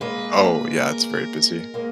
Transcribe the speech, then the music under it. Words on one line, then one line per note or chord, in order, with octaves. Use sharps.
Oh, yeah, it's very busy.
G#3 A#3 B4
B4
A#4
G#3 A#3